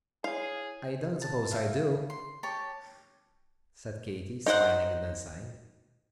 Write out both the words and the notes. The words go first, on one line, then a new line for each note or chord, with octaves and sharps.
"I don't suppose I do," said Katy, smiling, and then sighing.
E4 G#4 C#5 F5
A5
E5 F5
C6
G4 C#5 A5 D6
D#4 A#4 C5 F#5